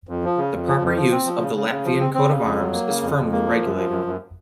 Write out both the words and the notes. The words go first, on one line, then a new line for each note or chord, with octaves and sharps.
The proper use of the Latvian coat of arms is firmly regulated.
F2
F3
C#3
F2
F3
F2
F3
C4
F3
C#3
C#3
C#3
F3
C4
C4
C#3
F2
F#3
A#3
C#3
F2
F2
A#3
F3
F#2
F3
F#2
F#2